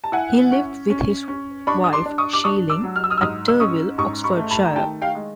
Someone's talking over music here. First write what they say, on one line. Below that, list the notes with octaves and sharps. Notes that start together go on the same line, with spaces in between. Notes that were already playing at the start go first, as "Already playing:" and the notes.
He lived with his wife Sheelin at Turville, Oxfordshire.
A5
E4 F#5 G#5
C#4
C#4
C#4
D4 B5 C#6
D#6
C6 D6
D4
C#6 D#6
D6
D4 C#6 D#6
D6 E6
F#3
F6
E6
D#6 F6
E6
G#2 D#6 F6
E6
C#4 C#6 D#6
G#2 C#6 D#6
B5 C#6
A3
A5 B5
A#5
D#3 G5 A5
F5 G5
G#3